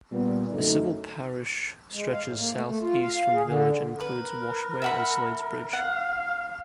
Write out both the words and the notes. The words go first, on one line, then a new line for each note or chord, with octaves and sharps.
The civil parish stretches southeast from the village and includes Washaway and Sladesbridge.
A#2 G3 B3
F#2 D3 A3 D#4
G#3
F5
A2
A#3
A3
A3
F4
F5
G#4
D3
A#4 B4
E5 F#5 B5
F5 F#5